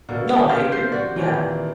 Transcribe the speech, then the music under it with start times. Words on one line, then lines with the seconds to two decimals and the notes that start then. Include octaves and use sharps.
No, I agree, yeah.
0.09 B2 D3 A#3
0.49 F4 G4 C5
0.72 C3 F3 G6 C7
0.92 F#4 G4 D5
1.16 A#2 D#3 E3